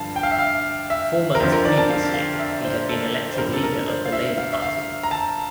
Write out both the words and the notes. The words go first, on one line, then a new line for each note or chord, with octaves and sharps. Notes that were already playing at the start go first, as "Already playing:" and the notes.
Four months previously, he had been elected Leader of the Labour Party.
Already playing: G2 D3 F3 F5 A5
G5
F5
E5
F5
E5
A#4
F2 D3 F3 C5
A#4
D5
A5
F5
F5
E5
C5
A4
C5
G2 D3 F3 A#4
A4
A#4
C5
F5
E5
F5
E5
F5
A#5
A5